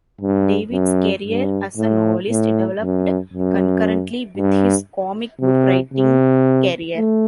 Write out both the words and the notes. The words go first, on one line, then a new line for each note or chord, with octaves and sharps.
David's career as a novelist developed concurrently with his comic book writing career.
G2
F#2
G2
A2
A2
F#2
F#2
G2
C3
C3
A3